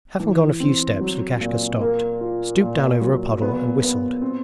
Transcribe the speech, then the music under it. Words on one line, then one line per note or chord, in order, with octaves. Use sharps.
Having gone a few steps Lukashka stopped, stooped down over a puddle, and whistled.
E3
C4
F#3
A#2
A#3
F4
A#2
F#3
B3
B3
C4